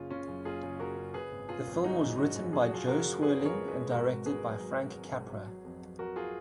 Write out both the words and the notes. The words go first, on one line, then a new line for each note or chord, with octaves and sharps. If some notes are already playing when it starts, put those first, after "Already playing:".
The film was written by Jo Swerling and directed by Frank Capra.
Already playing: F#1 C#3 C#4 F4
C#3 C#4 F4
F#2
F#1 F4 G#4
C#3
C#3 F#4 A#4
C#3
C#3 G#4 B4
G#1
C#3 F4 G#4
G#1
C#3 D#4 F#4
F#2
G#1 D#4 F#4
F#2
F3 G#4
F#4
F3 F4 G#4
C#3 F#4 A#4
F3
C#3 G#4 B4
F2
A#4 C#5
F3
G#4 B4
G#3
G#1 F#4 A#4
G#2
G#2 G#4 B4
F#3
F#3
F#3
G#1
G#1
F#3
F#3
F2
F#3
F#3 F#4 A#4
F4 G#4